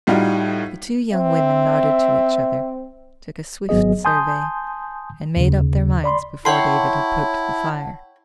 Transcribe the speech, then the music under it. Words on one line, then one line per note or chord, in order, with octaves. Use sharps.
The two young women nodded to each other, took a swift survey, and made up their minds before David had poked the fire.
A2 G3 D#4 F4 F#4
C4 E5
G#1 F#3 B3 G#4 D#5
G#5 A5 C6 D#6 G6
D#2 C#3
D5 B5 C6
E4 C#5 F#5 G5 A5 C6